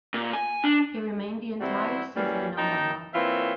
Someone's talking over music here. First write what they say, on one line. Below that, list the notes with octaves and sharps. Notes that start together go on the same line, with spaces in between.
He remained the entire season in Omaha.
A#2
G#5
D4
C3 E3 G3 C4 E4 F#4
E3 F#3 G3 A#3 C#4
F#2 A#3 D#4 G5 A5 A#5
E3 A#3 C4 F4 C#5 E5